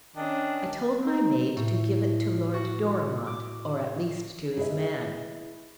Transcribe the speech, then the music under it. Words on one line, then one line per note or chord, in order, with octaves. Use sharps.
I told my maid to give it to Lord Dorimont--or at least to his man.'
D#3 C#4 D4
D#4
A2
F#4
D6
E4 G#4 B4 D#5 E5